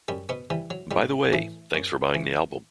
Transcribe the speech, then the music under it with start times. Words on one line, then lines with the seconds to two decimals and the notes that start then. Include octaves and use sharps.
By the way, thanks for buying the album.
0.08 F#2 G3
0.29 B2 B3
0.50 E3 G3
0.70 F#3
0.91 A2 G3
1.33 A2 E3 A3
1.74 F#2
2.15 E3